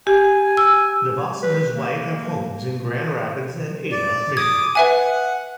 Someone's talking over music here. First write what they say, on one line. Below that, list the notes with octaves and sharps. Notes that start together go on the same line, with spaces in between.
DeVos and his wife have homes in Grand Rapids and Ada, Michigan.
G4 G#5
E6
B4
A#3
D5
D6 D#6 G#6
B4 E5 F#5 G#5